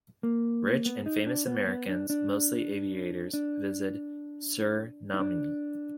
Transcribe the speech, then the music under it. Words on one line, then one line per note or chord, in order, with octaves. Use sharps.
Rich and famous Americans, mostly aviators, visited Suriname.
A#3
B3
D#4
D4
B3
B3
D4
D4
D4
D#4
D4